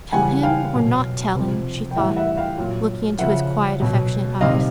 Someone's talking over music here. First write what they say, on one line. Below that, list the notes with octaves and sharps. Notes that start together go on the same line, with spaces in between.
"Tell him or not tell him?" she thought, looking into his quiet, affectionate eyes.
C#3 E3 G3 F#5 G#5
F5 G5
B2 F#3
C3 F3
G5
A2 E3 G3 E5 F#5
E5 F#5
F5 G5
A#2 F#3
C#3 F3 E5 F#5
B2 F#3
C3 D#3 G3 D#5 F5